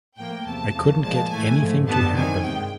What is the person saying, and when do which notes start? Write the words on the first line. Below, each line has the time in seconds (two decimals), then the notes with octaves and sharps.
I couldn’t get anything to happen.
0.16 A2 F3 A#3 G5
0.44 E2 C3 F3 A3 A5
0.74 E2 C#3 F3 A#3
1.01 A#2 F3 G#3 A5
1.29 A2 E3 A3 G#5
1.58 G#2 F3 A3
1.87 F#2 D3 G3 B3 A5
2.14 C3 D#3 F#3 G#5
2.42 G2 D#3 G#3 G5